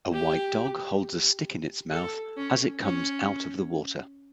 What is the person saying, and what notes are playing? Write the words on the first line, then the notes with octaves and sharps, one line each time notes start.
A white dog holds a stick in its mouth as it comes out of the water.
G4
A4
C#4
C#4